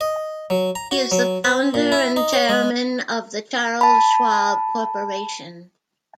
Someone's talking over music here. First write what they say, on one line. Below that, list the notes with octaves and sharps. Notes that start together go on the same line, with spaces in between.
He is the founder and chairman of the Charles Schwab Corporation.
D#5
F#3
A#5
F#4
F#3
C4
A#2
E4
D#4
C#5
G#3
A5 B5